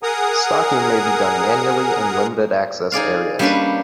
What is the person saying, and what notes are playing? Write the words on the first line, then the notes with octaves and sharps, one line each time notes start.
Stocking may be done manually in limited access areas.
G#4 A#4 F#5 G#5 A#5 D#6
D#4 G#4 D5 F5
G3 A#3 C#4 D4 G4 B4